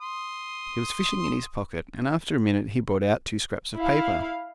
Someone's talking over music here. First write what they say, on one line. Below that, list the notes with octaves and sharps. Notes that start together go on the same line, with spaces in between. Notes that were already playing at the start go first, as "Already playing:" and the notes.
He was fishing in his pocket, and after a minute he brought out two scraps of paper.
C6 D#6
E4 F5